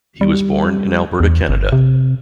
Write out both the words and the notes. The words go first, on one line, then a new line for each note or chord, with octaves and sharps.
He was born in Alberta, Canada.
G3
E2
G1
C3